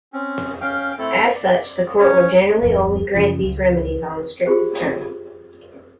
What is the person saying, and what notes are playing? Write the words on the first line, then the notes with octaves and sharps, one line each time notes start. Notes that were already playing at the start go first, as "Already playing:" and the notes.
As such, the court will generally only grant these remedies on the strictest terms.
C4 C#4
C#4 F5 G5
A3 C4 E4 A4
D5
C#4 C#5
D1 F2
F#2 C#3 F3
C#2
F4 G4 G#4 C5 F5